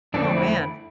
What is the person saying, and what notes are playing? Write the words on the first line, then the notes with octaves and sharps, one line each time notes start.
Oh, man.
F2 D3 A3 C4 D4
E4